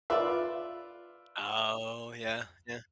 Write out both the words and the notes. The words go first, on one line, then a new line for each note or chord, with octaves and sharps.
Oh, yeah. Yeah.
F4 B4 D5 E5